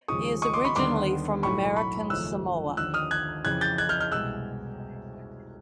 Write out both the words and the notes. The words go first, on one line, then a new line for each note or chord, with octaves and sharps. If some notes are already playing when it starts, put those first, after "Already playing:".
He is originally from American Samoa.
D#2 C#3 F3 G#3 C#6 D#6
C#6 D#6
C6 D6
B5 C#6
D#2 D3 G3 B3 C6 D6
B1 A2 F#3 A3 B5 C#6
B5 C#6
G#1 F#2 C#3 F3 A3 E6 F#6
D#2 D3 F3 E6 F#6
D#6 F6
F#6 G#6
F2 C#3 E3 F#6 G#6
G6 A6
F#6 G#6
F6 G6
F6 G6
C2 B2 G#3 E6 F#6